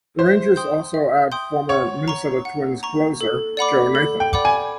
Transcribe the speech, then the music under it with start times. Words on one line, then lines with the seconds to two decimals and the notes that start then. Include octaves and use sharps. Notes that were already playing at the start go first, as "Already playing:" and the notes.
The Rangers also add former Minnesota Twins closer, Joe Nathan.
0.19 C5 E5
0.56 G5 C6 D#6 G6
0.94 E5
1.32 G5 C6 D#6 G6
1.69 C#5 F#5
2.08 A#5 C#6
2.45 F#5
2.83 A#5 C#6
3.21 A4
3.57 D5 F#5 B5 D6
3.95 A4
4.20 G5
4.33 D5 F#5 B5 D6
4.45 G#5